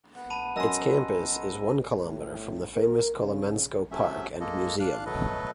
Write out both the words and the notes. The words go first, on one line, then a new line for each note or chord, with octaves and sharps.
Its campus is one kilometre from the famous Kolomenskoe park and museum.
B3 F#5
A5 B5 D#7
F#2 D#5 G#5 A#5 C6 D#6 E6 A#6
A2
A#4
C#3
C3 F#3 A3 C#4 E5
G#3 A#3 A4 D#5
D4 F5 F#6
B2 F#3 A3 A4 B4 D#5